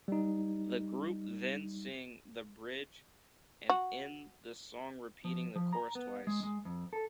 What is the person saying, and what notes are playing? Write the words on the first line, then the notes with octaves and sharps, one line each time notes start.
The group then sing the bridge, and end the song repeating the chorus twice.
G3 D#4
F#4
F3
F3
A#5
B3
G#3
G#3
F2
A4